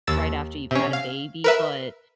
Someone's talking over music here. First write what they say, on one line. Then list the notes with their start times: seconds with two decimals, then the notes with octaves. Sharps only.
right after you've had a baby. But,
0.07 D#2 E6 A6
0.71 C3 C#4
0.93 F5
1.44 A#4 B4 E5